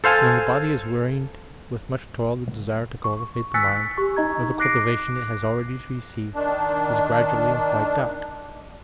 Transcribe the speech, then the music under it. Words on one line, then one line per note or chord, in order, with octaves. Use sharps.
When the body is wearied with much toil the desire to cultivate the mind, or the cultivation it has already received, is gradually wiped out.
A4 C5 F5 G#5 A5
C#6
G#5 E6 F#6 A6 B6 C#7
G4 C#6
D#4 D#5 A#5 G#6
D6 F#6 A#6 C7 D7
D#3 D4